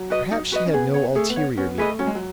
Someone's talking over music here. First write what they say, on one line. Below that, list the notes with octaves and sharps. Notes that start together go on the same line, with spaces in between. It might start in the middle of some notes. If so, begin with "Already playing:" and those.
Perhaps she had no ulterior meaning.
Already playing: F#3
F#4 B4 D#5
D#4
F#4 B4 D#5
C#4
B3 G#4
C#5 F#5
A3 G#4
B3
C#5 F#5
B3 C#4
A3 G#4 B4 D#5
F#3 C#4
G#3
F#3